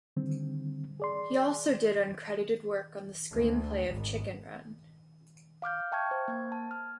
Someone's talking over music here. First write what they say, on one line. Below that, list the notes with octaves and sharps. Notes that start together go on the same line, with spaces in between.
He also did uncredited work on the screenplay of "Chicken Run".
D3 D#3 G3 C4
G#4 D5 C6
D2
G#1
F5 D6 F6 G6
E5 G5 A5 C#6 F6 G#6
C5
A#3 G#6
A5
F6